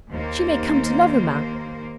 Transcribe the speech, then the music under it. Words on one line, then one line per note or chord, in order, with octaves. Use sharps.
She may come to love a man.
D#2 A#3 C5